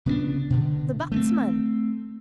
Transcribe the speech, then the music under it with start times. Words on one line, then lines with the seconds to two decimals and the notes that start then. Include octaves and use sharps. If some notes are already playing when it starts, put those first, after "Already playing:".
The batsman?
0.06 C#3 B3 C4 D4
0.50 B2 D3
1.12 A3 A#3 C4